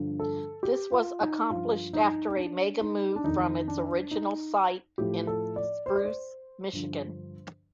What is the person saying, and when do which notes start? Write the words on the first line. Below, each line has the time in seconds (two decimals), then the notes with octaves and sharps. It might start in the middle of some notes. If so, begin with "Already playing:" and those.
This was accomplished after a "mega-move" from its original site in Spruce, Michigan.
Already playing: G2 D3 F3
0.20 A4
0.63 G4
0.92 F4
1.21 D#4
1.50 G2 F3 F4
1.93 D#4
2.29 D#4
2.37 D4
2.81 D#4
3.16 D4
3.24 F2 D#3 D#4
3.68 D4
4.11 D#4
4.98 A2 F3 G4
5.27 A4
5.56 D5
5.86 C5
5.96 D5
6.05 C5
6.73 G2 D3 F3